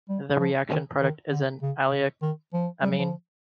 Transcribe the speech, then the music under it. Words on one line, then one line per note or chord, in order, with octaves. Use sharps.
The reaction product is an allylic amine.
G3
F3
D#3
D#3
D3
C#3
C#3
D#3
F3
G3
F#3
F3